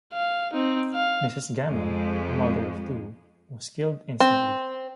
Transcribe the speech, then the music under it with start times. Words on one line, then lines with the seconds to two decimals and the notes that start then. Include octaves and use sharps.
Mrs Gammon, a mother of two, was killed instantly.
0.14 F5
0.53 C4 D#4
0.95 F5
1.68 F2 G#3
4.20 C4